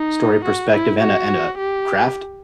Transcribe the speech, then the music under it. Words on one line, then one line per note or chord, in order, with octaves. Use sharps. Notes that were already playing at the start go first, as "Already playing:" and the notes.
story perspective and a and a craft.
Already playing: D#4
F#4
E4
F#4
G4